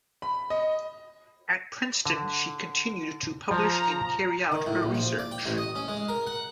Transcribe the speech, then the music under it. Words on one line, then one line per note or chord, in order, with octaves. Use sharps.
At Princeton she continued to publish and carry out her research.
B5
D#5
D3
F3 A#5
D#3
A2
A#1
F3
D5
G5
A1
D#5
C#4
G#3
A#4
F#5